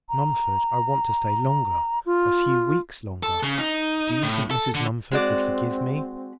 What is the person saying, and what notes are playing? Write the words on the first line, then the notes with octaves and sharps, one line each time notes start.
Mumford, I want to stay longer--a few weeks longer. Do you think Mrs. Mumford would forgive me?
A#5
F4
A4
C#3
D#4
A2
A4
D3
G#3 C4 F#4 D5